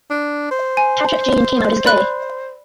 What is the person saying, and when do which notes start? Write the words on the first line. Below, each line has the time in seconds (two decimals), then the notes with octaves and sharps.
Patrik Jean came out as gay.
0.10 D4
0.51 C5
0.77 G#5
1.85 D5 B5 F#6